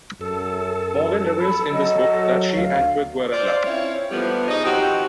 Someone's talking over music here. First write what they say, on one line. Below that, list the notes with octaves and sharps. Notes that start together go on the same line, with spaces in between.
Maugin reveals in this book that she and Twig were in love.
F#2 A4
B5
F#3 D#5
D2 F5
F4 C5 D5
C4 C#4 E4 F4 C#5
A2 D3 E3 F3 G3 B3
D#4 G#4 C#5 D#5
D#3 F3 C4 F#4 G4